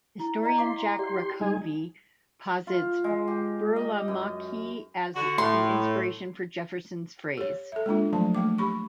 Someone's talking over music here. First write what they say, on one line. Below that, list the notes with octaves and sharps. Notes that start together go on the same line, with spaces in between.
Historian Jack Rakove posits Burlamaqui as the inspiration for Jefferson's phrase.
E4
D5 D#5 A#5
E4 F5 C6 D6
G4 D5 C6
G3 D#4 G#5
F4
G#3
G4
D#5
F#2
D3 F#4
A2 C6
G4 C#5
A4 E5
G#3 A#3 D4 F4
F3 F#3 A3 A5
A3 A#3 D6
G4 B5 C#6